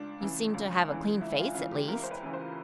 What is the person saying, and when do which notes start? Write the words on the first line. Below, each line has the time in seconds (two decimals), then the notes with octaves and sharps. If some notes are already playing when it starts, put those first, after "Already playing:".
"You seem to have a clean face, at least."
Already playing: C#2 D4
0.20 C#3 E3
0.54 C#2
0.88 C#3 E3
1.21 C#2 E4
1.38 F4
1.55 C#3 E3 F4
1.72 G4
1.88 C#2 A#4
2.03 C5
2.11 B4
2.22 C#3 E3
2.33 C5